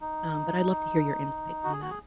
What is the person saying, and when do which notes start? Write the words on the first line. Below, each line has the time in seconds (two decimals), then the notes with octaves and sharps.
um, but I'd love to hear your insights on that.
0.01 D#4
1.64 F#4
1.73 G#4
1.82 F#4
1.90 G#4